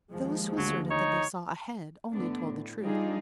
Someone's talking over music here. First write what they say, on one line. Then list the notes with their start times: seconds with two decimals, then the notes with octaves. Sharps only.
Those who asserted that they saw a head, only told the truth.
0.11 D#2 F3 G#3
0.58 D2 F#3
0.91 D#4 C#5
2.13 G2 D3 A3 B3 D4
2.47 A2
2.81 F3 G3 D4 D#4 F4 G#4